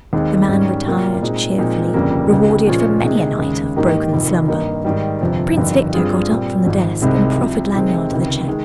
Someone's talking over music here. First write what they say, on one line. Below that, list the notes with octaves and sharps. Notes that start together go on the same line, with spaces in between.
The man retired cheerfully, rewarded for many a night of broken slumber. Prince Victor got up from the desk and proffered Lanyard the cheque.
D#2 D#3 G#3 C4 D#4
G#2 D#3 G3 C#4
C3 G3 A#3 F4
A#2 G#3 C4 D#4
A#2 F3 G#3 C4 D#4
G1 F2 C#3 G3 A#3
C#2 C#3 G#3 D#4 G4
A#2 F3 G#3 C#4 F4
C3 D#3 G#3
D#2 C#3 G#3
G#2 D#3 A#3 D#4 G4
F1 F2 D#3
G2 D#3 A#3 D#4
G#2 D#3 G3
G1 F2 C3 F3
G1 F2 D#3 G3
G2 G3 C4 F4 G#4
A#2 G3 C4
G#1 G#2 F3
C2 C3 D#3 G#3 C4
C2 C3 F3
C3 D#3 G#3 C4
C#2 C3 D#3
D#3 G#3